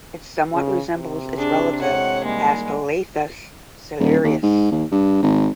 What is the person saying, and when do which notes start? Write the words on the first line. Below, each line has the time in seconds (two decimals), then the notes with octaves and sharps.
It somewhat resembles its relative "Aspalathus ciliaris".
0.54 C#3
0.96 C3
1.38 D4 G#4
1.82 A2 G#3 C#5 F#5
2.25 D#3 G3 G#3 A#3
3.99 D#1
4.24 D#2
4.43 G#2
4.71 D#2
4.92 G2
5.22 G#1